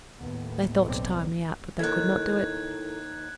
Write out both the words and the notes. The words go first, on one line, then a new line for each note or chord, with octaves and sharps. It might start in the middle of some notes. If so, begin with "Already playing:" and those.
They thought to tire me out, but they could not do it.
D#2 A2 B3
B1 C4 D5
D#2 D#3 E4 A4 F#6 G#6